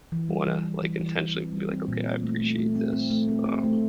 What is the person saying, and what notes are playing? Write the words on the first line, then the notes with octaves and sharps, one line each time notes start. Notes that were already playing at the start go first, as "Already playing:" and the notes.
wanna like intentionally be like, "Okay, I appreciate this," um,
E3
G3
E3
E3
E3
E3
E3
C4
G3
C4
A#2
C4
A3
A3
A3
C4
C4
A3
C4
C4
A3